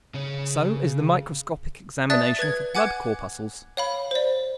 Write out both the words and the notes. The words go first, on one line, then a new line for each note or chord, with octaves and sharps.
So is the microscopic examination for blood corpuscles.
C#3 C#4
D5 E5 A5 D#6 F#6 A6
B4 G#6
F#5 G#5 D6 F#6 G#6
C#5 F5 B5
C5 D5